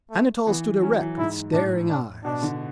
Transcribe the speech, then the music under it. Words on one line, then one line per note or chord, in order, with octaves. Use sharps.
Anatole stood erect with staring eyes.
A3
E3 B3
F#3 C#4
E3
G#2 E4
A2 D4
D4
B2 D4
D3